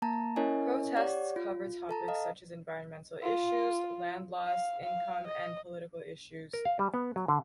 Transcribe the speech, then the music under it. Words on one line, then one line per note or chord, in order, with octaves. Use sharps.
Protests cover topics such as environmental issues, land loss, income, and political issues.
A#3 A5 A#5
C#4 E4 A#4 C#5 D#5 G#5
G4 C#5 D5 F#5
F4
A4 A5 A#5
D#5 F5
F4
F5
F5
D#5
A#4
F5
G3
B3
F#3
D3